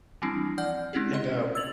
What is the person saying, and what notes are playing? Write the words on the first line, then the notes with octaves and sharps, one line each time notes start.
and, um,
E3 F3 G3 C4 D4 E4
D5 F#5 F6 G6
G#3 C4 C#4 E4 G4 G#4
D#5 C6
E6 G#6 A6 F7 F#7